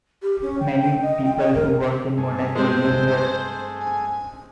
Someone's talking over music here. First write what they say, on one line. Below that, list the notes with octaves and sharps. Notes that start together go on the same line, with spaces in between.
Many people who work in Monaco live here.
G4
C#4
G5
G5
D#5
G5
D#5
A#4
G2 A3 G#4
G#3 C4 C5
G#5